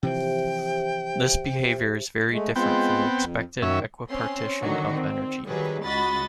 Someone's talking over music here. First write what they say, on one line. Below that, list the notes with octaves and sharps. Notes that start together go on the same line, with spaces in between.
This behavior is very different from the expected equipartition of energy.
C3 E3 F3 G4 C5 E5 G5
G#3 A3
G#3 B3 C4 F4 G5
F2
F#2 D#3 C#4 E5
C4 C#4 C6
D3 D#3 F#3 F#4
C4
D#3 F#3 G3 G#4 B4
C#2 F#4 D#5 B5 A6